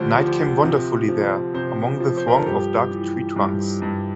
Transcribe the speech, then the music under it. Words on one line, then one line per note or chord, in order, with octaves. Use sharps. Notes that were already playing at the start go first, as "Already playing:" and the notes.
Night came wonderfully there, among the throng of dark tree-trunks.
Already playing: D2 D3 F3 G4 C5
F3
C3
F3
C3 C5
F3
C5
A#4
A4
G2 G4
E3
G2
G2